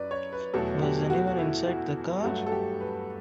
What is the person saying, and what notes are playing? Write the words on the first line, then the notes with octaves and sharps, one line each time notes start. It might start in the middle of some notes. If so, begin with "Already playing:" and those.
Was any one inside the car?
Already playing: F#2 B4 D5
C#5
B4
E2 B2 F#3 A3 A4
G4
F#4
F#4
E4
F#4
G2 F#3 A3 F#4
A4
G4
B4